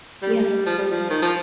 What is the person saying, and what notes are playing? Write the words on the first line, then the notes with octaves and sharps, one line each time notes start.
Yeah, absolutely.
G3
F3
G3
F3
D#3
F3